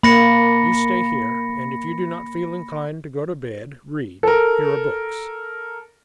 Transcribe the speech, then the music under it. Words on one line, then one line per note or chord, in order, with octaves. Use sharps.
You stay here, and if you do not feel inclined to go to bed, read--here are books.
A#3 B5 A#6 C#7
A4 A#4